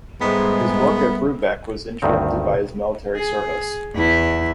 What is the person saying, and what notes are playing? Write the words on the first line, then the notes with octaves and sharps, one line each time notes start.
His work at Brubeck was interrupted by his military service.
G#2 G3 G#3 B3 A4 E5
D2 G2 D#3 C4
G#4
E2 E4